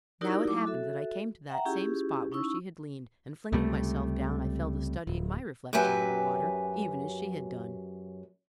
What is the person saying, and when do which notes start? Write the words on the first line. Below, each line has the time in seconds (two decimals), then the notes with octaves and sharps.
Now it happened that I came to that same spot where she had leaned and, flinging myself down, I fell to studying my reflection in the water, even as she had done.
0.21 D#4 E4 F#4 G4 A#4 D5
0.48 F#3 A3 E4 D6
0.66 F#4 A4 E5
1.49 E5 F#5 G5 A#5
1.65 C#4 E4 F4 G4 G#4
2.32 C#4 D#4 E4 C#6 E6
3.52 C#2 C3 G3 A3
5.07 D1
5.73 F#2 F#3 G4 B4 E5 G#5